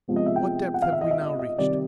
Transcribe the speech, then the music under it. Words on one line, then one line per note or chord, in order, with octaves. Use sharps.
"What depth have we now reached?"
C3 F3 G#3 B3
D#5
E5
G5
F#5
F5
E5
D#5
E5
D#5
D#5
C3 D#3 G3 D5